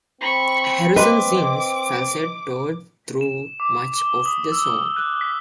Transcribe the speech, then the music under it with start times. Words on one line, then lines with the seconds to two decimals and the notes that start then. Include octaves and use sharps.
Harrison sings falsetto through much of the song.
0.21 C4 B5 C#6
0.96 B4 D#5 C6 D6
3.21 E7
3.60 D6
3.98 G7
4.26 D#6
4.52 E6
4.66 G7
4.96 F#6
5.21 B6